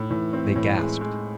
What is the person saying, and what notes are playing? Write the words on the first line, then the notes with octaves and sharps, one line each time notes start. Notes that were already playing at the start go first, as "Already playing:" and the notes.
They gasped.
Already playing: A2
A2 E3
C4
A2
G#3
G#3